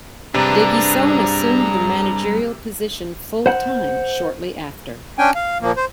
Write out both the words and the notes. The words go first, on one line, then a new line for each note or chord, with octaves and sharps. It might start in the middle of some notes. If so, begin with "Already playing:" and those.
De Guisson assumed the managerial position full-time shortly after.
E2 G2 C3 D4 G#4 B4 A#5
C5 F#5
C#4 D4 G5 G#5
F5
A#2 F3 A#3
C5